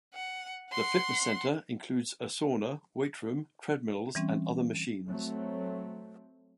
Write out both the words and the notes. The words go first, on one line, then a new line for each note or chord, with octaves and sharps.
The fitness center includes a sauna, weight room, treadmills and other machines.
F#5
F#5 C6
E3 G3 C4 C#4
F#3 A3 C4